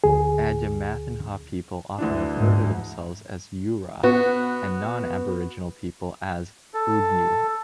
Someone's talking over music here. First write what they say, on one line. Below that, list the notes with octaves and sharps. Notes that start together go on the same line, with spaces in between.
Adnyamathanha people often refer to themselves as '"yura"', and non-Aboriginal people as "'udnyu"'.
D2 G#4
D2 E3 D4
G#2
B3 F#4
A4